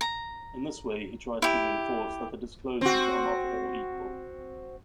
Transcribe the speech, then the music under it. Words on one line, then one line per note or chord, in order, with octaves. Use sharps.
In this way, he tries to reinforce that the disclosures are not all equal.
A#5
E4 G4
C4 F#4